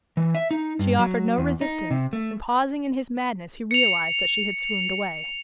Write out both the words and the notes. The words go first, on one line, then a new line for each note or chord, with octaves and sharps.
She offered no resistance, and pausing in his madness he realized that she had swooned away.
E3
E5
D#4
G2
F#3
E2
D#4
C3
A3
C#7 F7